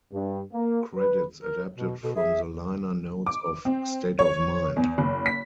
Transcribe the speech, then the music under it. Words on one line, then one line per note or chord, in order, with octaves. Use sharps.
Credits adapted from the liner notes of "State of Mind".
G2
A#3
B4
A#4
B2
B2 A4
G#4 E5
D6
C4
C#5
E2
F#1
B6